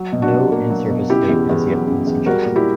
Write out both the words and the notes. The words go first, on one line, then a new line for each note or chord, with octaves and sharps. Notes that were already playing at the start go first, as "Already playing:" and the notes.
No in-service date has yet been suggested.
Already playing: F#3
B2
D4 F#4
B2
A#3
F#3
B2
C#3 E4 G4
E2
E2
F#3
C#3
E2
G3 F#4 A#4
A#2
E4 G4